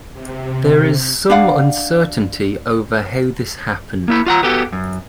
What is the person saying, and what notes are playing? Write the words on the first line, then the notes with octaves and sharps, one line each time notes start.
There is some uncertainty over how this happened.
C3
D4 D5 F5 F#5
A#3 E4 B5
F4 F#5 A#5
B3 F#4 G4 A4
F#2